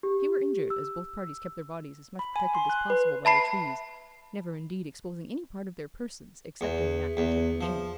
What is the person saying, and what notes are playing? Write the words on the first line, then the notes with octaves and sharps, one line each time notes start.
Few were injured, as both parties kept their bodies as much protected as possible by the trees; never, indeed, exposing any part of their persons except in the act of taking aim.
G4
E6
B5
G#5
C6
F#6
B4
E5 A5 B5 C7
E2
E2
F3